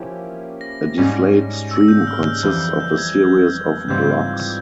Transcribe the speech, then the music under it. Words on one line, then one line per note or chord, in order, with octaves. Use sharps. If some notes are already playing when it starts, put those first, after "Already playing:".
A Deflate stream consists of a series of blocks.
Already playing: F3 A#3 C#4 E4 G4
A#6
G#2 G3 C#4
E6
G6
F6
G6
F2 E3 G3 G6
G6
G6
G#6
G#2 E3 G3 C4 F4 G6